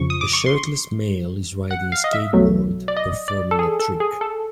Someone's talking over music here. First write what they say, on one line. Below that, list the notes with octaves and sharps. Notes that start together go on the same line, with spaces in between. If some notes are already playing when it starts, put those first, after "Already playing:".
A shirtless male is riding a skateboard, performing a trick.
Already playing: F2 C#3 F3 C#6
D#6
D6
C#6
C6
F#5
F5
D#5
E5
B1 B2 F#3 A3
D5
D#5
D5
A4
G#4
A4
G#4
A4